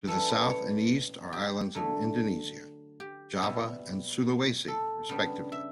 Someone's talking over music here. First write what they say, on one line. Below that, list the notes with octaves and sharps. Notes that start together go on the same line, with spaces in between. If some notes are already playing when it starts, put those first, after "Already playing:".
To the south and east are islands of Indonesia: Java and Sulawesi, respectively.
E3 G3 C#4 A4
B4
C#5
G4
D3 F#3 A3
G4
B2 G3 B3 E4
A4
C#3 G3 B3 D4
E5